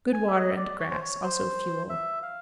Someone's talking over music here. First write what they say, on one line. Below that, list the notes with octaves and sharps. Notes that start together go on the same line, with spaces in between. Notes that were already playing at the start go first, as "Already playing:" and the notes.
Good water and grass, also fuel.
G#5
E5
D#5
D5
C#5
C5
C#5
C5
E5
F5